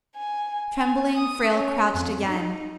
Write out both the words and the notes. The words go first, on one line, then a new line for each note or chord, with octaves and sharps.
Trembling, Frale crouched again.
G#5
G#5
D#6
C#4
F2
D#4